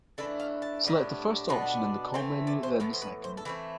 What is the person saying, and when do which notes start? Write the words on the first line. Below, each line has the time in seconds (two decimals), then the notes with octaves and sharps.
Select the first option in the call menu, then the second.
0.18 E3 A3 D4 A4
0.39 F5
0.62 A5
0.84 A2 G3 B3 D4
1.49 B2 B3 D4
2.14 E3 A3 C4 G5
2.47 D5
2.63 C5
2.80 A2 E3 B3 A4
2.93 C5
3.02 B4
3.24 C5
3.37 A4
3.45 E3 A3 C4 B4